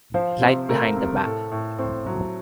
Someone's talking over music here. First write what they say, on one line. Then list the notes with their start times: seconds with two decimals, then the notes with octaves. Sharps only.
Light Behind The Back.
0.14 F3 C5
0.41 C3 C5
0.69 A3 A#4
0.96 C3
1.24 A2 A4
1.51 A2
1.78 A2 C4
2.07 F#3